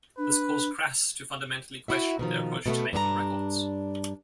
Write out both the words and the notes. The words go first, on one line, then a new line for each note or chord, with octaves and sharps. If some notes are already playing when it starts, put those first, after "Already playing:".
This caused Crass to fundamentally question their approach to making records.
D4 B4
E4 F#4 E5
B2 D#3 F3
B2 A3 B3
G2 D4 G4 A#5